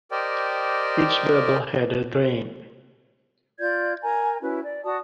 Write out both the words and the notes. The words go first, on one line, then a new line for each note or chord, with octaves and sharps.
Each bubble had a drain.
G4 A#4 C5 D5 D#5 G5
F4 D5 G6 G#6
A#4 G#5 A#5
C#4 E4 F#4 B4
D5
F#4 D5 A5 D#6